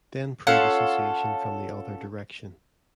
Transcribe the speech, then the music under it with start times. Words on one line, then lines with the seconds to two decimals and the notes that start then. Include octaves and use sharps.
Then prove association from the other direction.
0.47 C#4 F4 A4 F#5